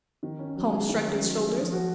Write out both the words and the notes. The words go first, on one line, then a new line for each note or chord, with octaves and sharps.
Holmes shrugged his shoulders.
D#3
C#4
F#3
G#4
D#3
C#4
F#3
G#4
F3
F#4